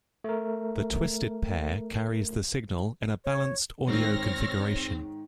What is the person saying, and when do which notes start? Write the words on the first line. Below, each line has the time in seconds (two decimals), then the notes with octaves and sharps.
The twisted pair carries the signal in a balanced audio configuration.
0.24 A3 A#4
3.25 C#5
3.88 G#2 D#3 C4 C#5 F6 A#6